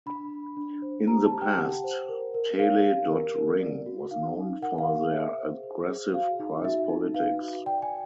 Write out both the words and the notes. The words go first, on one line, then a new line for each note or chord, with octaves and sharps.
In the past, tele.ring was known for their aggressive price-politics.
D4 B5
D4
D4
C5
G4 A#5
A5
G4
G5
G4 F#5
C5
A#4
A#4
C#5 F5
G4
A#4
A#4
D5
F#4
D#4 F5
D#4
A#4 F#5
F5
A#4
F5
G#4 E5
C5
C5
G#4
F#4 F5
D#4
F#4 E5
D#4
B4 F5
F#4
D5 G5
G#5